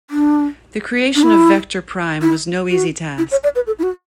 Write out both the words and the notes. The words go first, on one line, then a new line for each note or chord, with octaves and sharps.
The creation of Vector Prime was no easy task.
D4
D4
E4
E4
F#4
E4
C#5
D5
B4
A4
E4
F#4